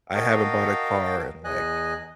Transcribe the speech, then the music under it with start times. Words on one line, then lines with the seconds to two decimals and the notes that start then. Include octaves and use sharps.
I haven't bought a car in, like
0.14 F#4 A#4 D#5 F5 G5 A5
1.44 E2 D#5 G#5 F#6